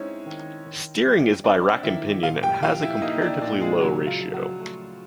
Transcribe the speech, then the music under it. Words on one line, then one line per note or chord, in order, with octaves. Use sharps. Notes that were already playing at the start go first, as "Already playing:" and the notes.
Steering is by rack and pinion and has a comparatively low ratio.
Already playing: G#3 C4 C#4 D#4 E4 C#5 E5
D#3
D#3
G3
C4 D4 D5
D#3 E4 E5
A#2 F4 F5
G4 G5
F3 F4 F5
E4 E5
A#3 D#4 D#5
D4 D5
A#2 D4 D5
G#3 G#4
C#3 F#3 F#4
F4
F3
F#3 F#4
A3